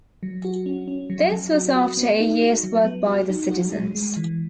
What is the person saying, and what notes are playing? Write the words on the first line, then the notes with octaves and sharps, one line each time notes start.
This was after a year's work by the citizens.
F#3
F#4
C#4
C#4
F#3
F#3
F#4
F#4
B3
D#4
F#4
F#3
B3
F#4
D#4
F#4
G#3
G#3
E3